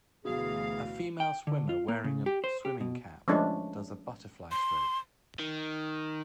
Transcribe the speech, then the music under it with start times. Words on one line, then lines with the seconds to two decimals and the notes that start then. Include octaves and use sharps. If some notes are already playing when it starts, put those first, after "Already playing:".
A female swimmer wearing a swimming cap does the butterfly stroke.
0.25 D2 B2 E3 G#4 F5
1.20 G5
1.47 D3
1.69 F4
1.88 A#3
2.04 C#3
2.26 G4
2.44 C5
2.65 G4
2.80 B2
3.28 F3 G#3 A3 C#4 D4
4.51 C6
5.39 D#3